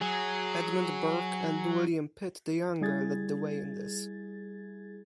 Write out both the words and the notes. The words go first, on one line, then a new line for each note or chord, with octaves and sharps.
Edmund Burke and William Pitt the Younger led the way in this.
F#3 G#4
G3 E4 G#4 G#6 A6